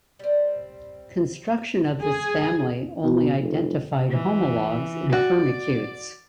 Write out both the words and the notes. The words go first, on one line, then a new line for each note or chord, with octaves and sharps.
Construction of this family only identified homologues in Firmicutes.
G3 C4
G#4
B2
F1
E3
F#4 D5